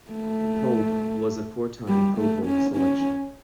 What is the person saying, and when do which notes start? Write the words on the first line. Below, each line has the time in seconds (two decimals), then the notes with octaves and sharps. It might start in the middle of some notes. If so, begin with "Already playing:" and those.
Paup was a four-time Pro Bowl selection.
0.11 A3
1.88 G3
2.18 A3
2.46 C#4
2.77 C#4